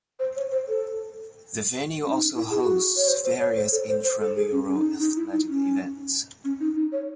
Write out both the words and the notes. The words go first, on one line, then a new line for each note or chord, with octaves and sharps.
The venue also hosts various intramural athletic events.
C5
C#5
C5
A4
C#4
D#4
E4
G#4
F#4
C#5
C5
C5
C#5
C5
A4
C5
C5
A4
G#4
C#4
C#4
D#4
D#4
E4
D#4
C#4
C#4
D#4
D#4
C#5